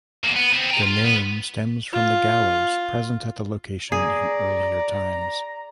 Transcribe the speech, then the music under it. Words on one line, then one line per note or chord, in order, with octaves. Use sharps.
The name stems from the gallows present at the location in earlier times.
E2 A#2
B3
B3 C4
G5 A#5
F4
B3
F4
G#4 D5 A#5